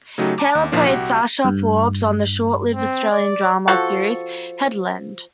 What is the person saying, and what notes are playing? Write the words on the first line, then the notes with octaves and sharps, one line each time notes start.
Taylor played Sasha Forbes on the short-lived Australian drama series "headLand".
C#3 F#3 A3 D#4 F#4 G4
A5 A#5 D6
D#2
A#1 A#2 F3 A#3 D4 D5
C2 F#4 G4
G2
C4
D5
F3 F#4 A4